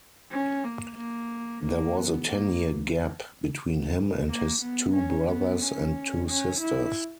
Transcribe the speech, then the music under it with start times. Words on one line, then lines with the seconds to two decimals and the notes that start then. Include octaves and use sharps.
There was a ten-year gap between him and his two brothers and two sisters.
0.32 C#4
0.64 A#3
0.98 A#3
1.64 A#3
1.97 B3
2.31 A#3
4.29 A#3
4.62 B3
4.96 C#4
5.29 B3
5.62 C#4
6.28 C#4
6.61 E4